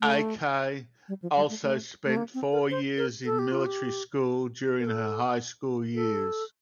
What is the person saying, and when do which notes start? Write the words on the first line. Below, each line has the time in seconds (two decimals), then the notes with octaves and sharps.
Aki also spent four years in military school during her high school years.
0.01 A3
1.08 G3
1.22 F3
1.36 G3
1.49 A3
1.62 A3
2.05 A3
2.17 A#3
2.34 C4
2.53 A#4
2.71 C5
2.98 A#4
3.25 A4
3.39 G4
3.52 F4
3.66 G4
4.80 A#4
4.87 A4
5.95 A4